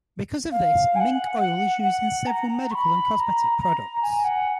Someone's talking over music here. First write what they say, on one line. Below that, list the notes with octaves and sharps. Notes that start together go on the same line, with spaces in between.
Because of this, mink oil is used in several medical and cosmetic products.
F5
G#5
F#5
F#5
F#5
A#5
C#6
B5
B5
A#5
A#5
G#5
F#5